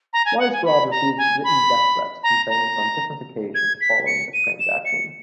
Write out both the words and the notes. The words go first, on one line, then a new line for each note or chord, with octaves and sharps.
Weisbrod received written death threats from fans on different occasions following this transaction.
A#5
G#5
F#5
G#5
B5
A#5
G#5
B5
A#5
A#5
G#6
B6
C#7
D#7
E7
C#7